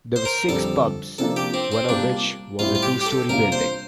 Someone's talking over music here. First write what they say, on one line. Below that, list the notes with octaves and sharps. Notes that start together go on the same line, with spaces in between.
There were six pubs, one of which was a two-storey building.
C5
A#4
F2 D3 G3 A4
C3 F3 A#3 D4 A4
G4
C4
C4
C3 G3 A#3 D4 F4
A2 G3 C4 E4 F4
F4
G4
G4
A4
C3 G3 A#3 D4 F4 A#4
C5